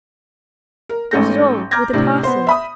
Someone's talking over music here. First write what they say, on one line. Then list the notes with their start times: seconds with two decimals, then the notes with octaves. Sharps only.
"Not at all; with a parson."
0.89 A#4
1.11 A1 G#2 C#4 A4 G6 A#6
1.71 A#5 D6 F6 G6 G#6 A#6
1.93 A2 C3 D4
2.23 B3 C5
2.47 E5 B5 D#6